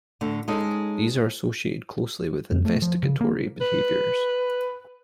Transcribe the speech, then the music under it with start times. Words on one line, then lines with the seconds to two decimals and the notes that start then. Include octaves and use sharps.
These are associated closely with investigatory behaviors.
0.21 A2 D3 A3
0.48 G#3 C#4 D#4 A4
2.52 F2
2.65 A3
2.82 F3
3.03 C#3
3.21 A#3
3.61 B4